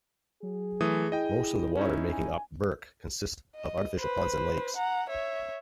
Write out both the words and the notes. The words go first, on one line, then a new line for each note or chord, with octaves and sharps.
Most of the water making up Burke consists of artificial ponds and lakes.
F#3 G#4
E3 A3 D#6
E4 D#5 G5
C#4 D#4 E4
G#5
D#5
B4 C5
F#5 A#5
C#5 E5